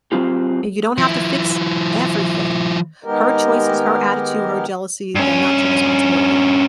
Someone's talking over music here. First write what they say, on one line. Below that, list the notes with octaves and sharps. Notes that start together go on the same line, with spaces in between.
and you don't have to fix everything. Her choices, her attitude, her jealousy, they're not your responsibility.
F#3 C4 F4 G4
F3 E4
D#3 G#3 B3 G4 A#4
G2 C#4